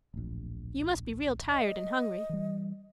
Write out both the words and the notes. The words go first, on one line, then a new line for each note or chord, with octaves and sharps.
You must be real tired and hungry.
D1 A#1
D#5
E3 G3